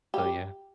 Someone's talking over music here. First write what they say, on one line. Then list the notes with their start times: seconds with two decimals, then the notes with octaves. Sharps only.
So, yeah.
0.14 G4